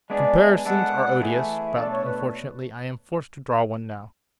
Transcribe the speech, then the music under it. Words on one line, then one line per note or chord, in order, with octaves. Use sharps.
"Comparisons are odious, but, unfortunately, I am forced to draw one now."
G#3 B3 D4 G#4 D5
E5
G#5
G#3 B3 D4 A4 F#5
E3 A3 E4 G#4 E5
B2 A3 D4 A4 D5
C#5
B4